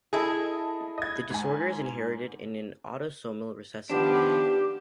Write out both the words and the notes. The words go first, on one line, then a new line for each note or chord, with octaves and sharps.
The disorder is inherited in an autosomal recessive manner.
E4 G#4 A4 D#5 A5
D#5 G#6
G#2 G#5
D#3 F3 B3 D4 G4